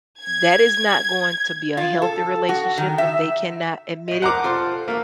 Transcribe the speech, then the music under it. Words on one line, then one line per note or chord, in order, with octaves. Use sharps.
that is not going to be a healthy relationship if they cannot admit it
G#6
F4
A4
F#4
D#3
E5
A2 D#5
A#4 C5 F#5 A#5 D6
F4 A4 C5
A3 A#3 F#4